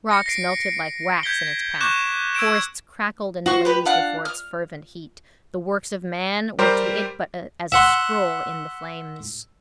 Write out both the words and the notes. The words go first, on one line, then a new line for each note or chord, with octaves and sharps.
Rocks melted like wax in its path; forests crackled and blazed before its fervent heat; the works of man were to it but as a scroll in the flames.
A#6 C#7
A#6 C7 D7
G6 G#6 B6 G7
C#6 D6 F#6 G6 E7
E6 G#6 D7 E7
F4 F#4 C5 C#6
G4 B4
D4 F5 F#5
F6
G3 G4 A#4 C5
E5 F#5 C6